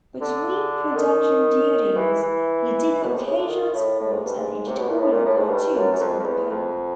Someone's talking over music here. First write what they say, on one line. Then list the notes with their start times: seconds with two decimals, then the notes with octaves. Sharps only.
Between production duties, he did occasional sports and editorial cartoons for the paper.
0.21 D3
0.96 D#3
1.97 E3
2.22 E3
3.03 B2
3.15 C3
3.25 C#3
3.37 D3
3.48 D#3
3.73 A2
3.99 A2
4.12 G#2
4.25 G2
4.39 G#2
4.68 C3
4.78 B2
4.89 A#2
4.99 A2
5.12 A#2
5.25 A2
5.37 G#2
5.49 G2
5.75 F#2
5.92 F#2
6.00 F2
6.20 F2
6.25 E2
6.50 F2